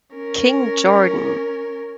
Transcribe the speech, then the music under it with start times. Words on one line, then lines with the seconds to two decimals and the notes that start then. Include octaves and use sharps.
King Jordan.
0.16 C#4 A#4